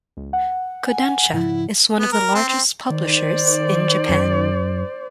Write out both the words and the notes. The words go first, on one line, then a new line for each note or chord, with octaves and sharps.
Kodansha is one of the largest publishers in Japan.
C#2
F#5
G#5
G#2 C#3 F3 E4
B3
A#4
C4
C4
D#3 C5 D5
F#2